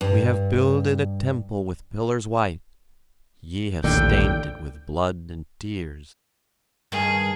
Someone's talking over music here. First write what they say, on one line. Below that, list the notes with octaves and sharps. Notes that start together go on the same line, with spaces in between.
We have builded a temple with pillars white, ye have stained it with blood and tears!
G2
A#1 D#2 A2 D3 G5
G2 D#3 G#4